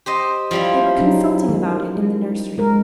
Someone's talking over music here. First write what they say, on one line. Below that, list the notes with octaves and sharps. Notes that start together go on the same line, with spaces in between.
They were consulting about it in the nursery.
G4 C5 D#5
F3 G3 E4
F#3 C#4 D#4
D#3
G#3 A#4